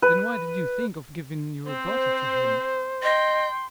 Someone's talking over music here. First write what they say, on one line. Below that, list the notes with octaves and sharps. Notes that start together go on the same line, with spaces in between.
"Then, why did you think of giving your daughter to him?"
B4
C4 C5
D#5 G5 C6